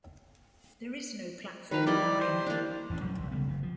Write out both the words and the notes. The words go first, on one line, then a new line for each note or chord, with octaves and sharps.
There is no platform nine.
D#3 B4 F5
G3 E4 D5 D#5
C5
A#3 D4
E1 A1 E3 C#4
E1 F#3 G3 C#4
B1 C3 D#3 G3
C#3 G3 A3 B3
F#1 C3
F3